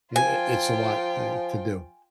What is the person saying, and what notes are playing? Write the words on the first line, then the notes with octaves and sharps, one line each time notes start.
i i it's a lot, eh, to do,
F3 F4 G5 G#5